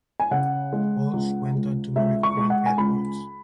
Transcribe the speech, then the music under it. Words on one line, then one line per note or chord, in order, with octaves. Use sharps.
Walsh went on to marry Frank Edwards.
G#5
C#3 F#5
G#3
C#2
C#2
C#2 E5
C#6
G#3
F#5
G#5
C#2 B5